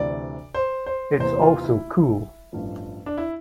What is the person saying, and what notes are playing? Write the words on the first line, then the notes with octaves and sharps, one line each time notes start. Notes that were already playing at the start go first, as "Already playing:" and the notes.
It's also cool.
Already playing: D2 C3 E3 D5
C5
C5
E2 C3 E3 A#3 C5
F4
E4
A1 G2 F3 A3
D4
E4